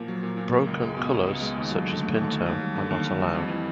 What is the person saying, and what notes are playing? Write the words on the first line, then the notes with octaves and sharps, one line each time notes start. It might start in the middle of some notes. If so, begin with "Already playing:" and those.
"Broken" colours such as pinto are not allowed.
Already playing: A#2 F3 A#3
F#3
A#2
A#2
A#3
C#2
G#3
B2
B3
C#2
G#3
D#2
F#3
D3
A3
D#2
F#3
D#2
G3
D3
D#2
D#2
G3
F2
E3